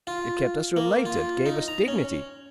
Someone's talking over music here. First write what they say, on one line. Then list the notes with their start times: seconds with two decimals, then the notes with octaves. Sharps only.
It kept us related--gave us dignity....
0.07 F4
0.76 A#3
1.05 F4
1.46 D#4
1.68 A#5
1.88 C#4